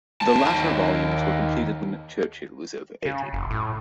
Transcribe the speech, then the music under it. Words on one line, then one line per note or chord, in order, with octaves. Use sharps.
The later volumes were completed when Churchill was over eighty.
D#2 A5
C#3
F#1
A2